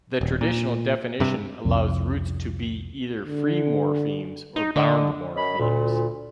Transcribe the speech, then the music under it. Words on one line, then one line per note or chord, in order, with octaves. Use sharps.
The traditional definition allows roots to be either free morphemes or bound morphemes.
D#1
A#2
G2 C3
C2 F2
D3
D#4
D3 D4 D5 D#5
F#2 C#4 D#5 B5
D2 A#2